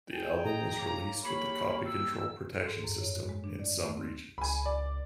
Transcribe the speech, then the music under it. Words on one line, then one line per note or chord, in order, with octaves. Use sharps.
The album was released with the Copy Control protection system in some regions.
G#4 G5 G#5
D#4 D#5 A#5
A#3 C#5 D6
A#3 G4 C#5 B5
E6
A4
G#2
F#2
C#5
F#4
G#3
D4
D5
A3
C4
C#2 G#5 B5
D5